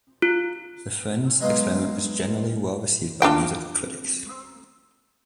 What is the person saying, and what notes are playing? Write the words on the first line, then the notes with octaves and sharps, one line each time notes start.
"The Frenz Experiment" was generally well received by music critics.
F4
F#3 G#3 B3 D#4 F4
D4 F4 G5